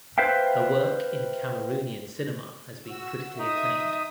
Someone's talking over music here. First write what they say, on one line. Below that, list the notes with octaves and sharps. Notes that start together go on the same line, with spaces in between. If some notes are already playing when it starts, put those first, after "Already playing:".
Her work in Cameroonian cinema has been critically acclaimed.
B4 C5 E5 F5 G5
F#4 E6
D#4 E5 D#6